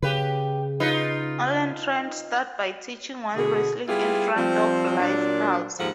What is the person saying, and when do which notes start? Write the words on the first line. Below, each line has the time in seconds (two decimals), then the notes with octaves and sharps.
Allen trained Studd by teaching while wrestling in front of live crowds.
0.02 C#3 G4 B4
0.80 D#4 F4 B4
3.36 B2 D3 G#4
3.88 G3 B3 E4 F4 G4 G#4
4.35 F3 G3 C4
4.99 A#2 F#3 D4
5.79 D#2 G#2 F3 A4 F#5